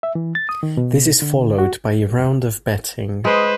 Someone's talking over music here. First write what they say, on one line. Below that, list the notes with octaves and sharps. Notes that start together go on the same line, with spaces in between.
This is followed by a round of betting.
E5
E3
A6
D#6
D#3
B2
D3
F#4
G#3 B4 C5 D#5